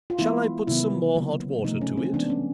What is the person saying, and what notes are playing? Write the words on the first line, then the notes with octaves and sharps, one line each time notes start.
Shall I put some more hot water to it?
F4
E3 G#3 B3 E4
C3 D#3 F#3 B3 E4
C#3 F#3 A#3
C3 F3 A3 D#4
C#4
C4
E3 G#3 B3 D4
C#4